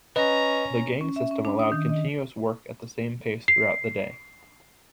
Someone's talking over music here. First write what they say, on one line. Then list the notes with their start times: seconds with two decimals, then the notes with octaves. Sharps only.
The gang system allowed continuous work at the same pace throughout the day.
0.16 C#4 B4 D#5 A#5
1.01 C#4
1.16 E5
1.31 C#4
1.45 D4
1.59 D#6
1.72 D#3
1.89 D#5
3.48 C7